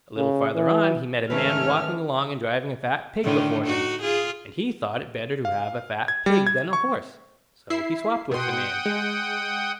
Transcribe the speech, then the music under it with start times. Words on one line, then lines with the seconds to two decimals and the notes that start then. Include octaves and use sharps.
A little farther on he met a man walking along and driving a fat pig before him, and he thought it better to have a fat pig than a horse, so he swopped with the man.
0.17 C#3
0.55 E3
1.30 G#2 D#3 A3 C#4 A4 B4 C#5 F6
3.23 A2 D3 D#3
3.66 D#4 F#4
4.01 F4 G#4
5.45 F5
6.08 G#6
6.26 G3
6.47 G#6
6.73 C#6
7.70 E4 E5 C7
8.31 B2 F#5 G5 C6 D#6
8.86 G#3